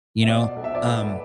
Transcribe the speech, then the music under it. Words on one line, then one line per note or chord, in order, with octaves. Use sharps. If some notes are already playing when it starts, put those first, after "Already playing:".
you know, um,
E5
B2 D5
B1
E5
D5
A2 B4